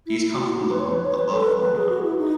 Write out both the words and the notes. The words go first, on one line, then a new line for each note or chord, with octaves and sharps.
These come from the above formula.
E4
E4
F#4
D#4
B4
C#5
B4
C#5
B4
A4
B4
B4
G#4
F#4
E4
D#4